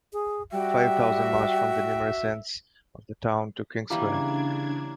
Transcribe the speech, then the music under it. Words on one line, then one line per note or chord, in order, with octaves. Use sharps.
Five thousand marched from numerous ends of the town to King Square.
G#4
G3 F#4 E5 G5
C#3 E3 G3 A#3 D4 E4 G#6